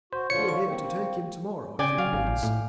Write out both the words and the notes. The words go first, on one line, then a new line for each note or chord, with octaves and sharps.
Be here to take him to-morrow, if you please.
F#4 C5
D3 F3 F4 C#5 C#7
C#6
A#3 C4
C#3 D5 G5 G#5
F#3 F5
G#1
A#1
A2